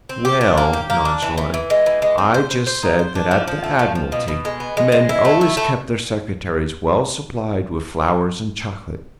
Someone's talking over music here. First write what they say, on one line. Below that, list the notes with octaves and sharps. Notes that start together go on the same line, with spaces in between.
"Well," nonchalantly, "I just said that at the Admiralty men always kept their secretaries well-supplied with flowers and chocolates."
C4
G4
D4
A#3
G4
A#3
D4
E3
E3
E3
G#3
E3
G#3
C4
C5
C5
C5
D#4
C5
D4
F3
F3
A3
F3
F3
B2
B2
G#3
B3
G#3
G#3
E4
A3
E4
A3